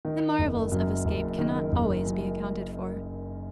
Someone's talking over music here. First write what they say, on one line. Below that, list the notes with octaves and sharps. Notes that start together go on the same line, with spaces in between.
The marvels of escape cannot always be accounted for.
D#3
F#1
F#2
F#1
D#3
F#1
F#2